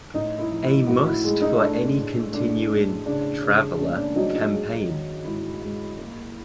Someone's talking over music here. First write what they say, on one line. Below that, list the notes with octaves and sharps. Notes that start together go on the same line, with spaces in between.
A must for any continuing "Traveller" campaign.
A2 D#4
E4
F3
E4
A2 F#4
E4
G#3
D#4
A3 D4
A2
A3 D4
A2
C#3 D4
C#3
A#3 C#4
D4
F#3 D#4
D#4
G#3
D#3
G#2 E4
G#2
A#3